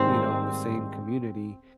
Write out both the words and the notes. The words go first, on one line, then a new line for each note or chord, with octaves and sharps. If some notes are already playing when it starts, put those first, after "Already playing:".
you know, in the same community,
Already playing: G#2 D#3 G3 A#3 C4